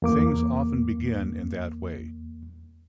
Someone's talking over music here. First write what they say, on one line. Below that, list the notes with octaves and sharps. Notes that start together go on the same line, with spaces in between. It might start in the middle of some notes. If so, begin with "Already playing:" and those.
Things often begin in that way.
E2 A#3 D6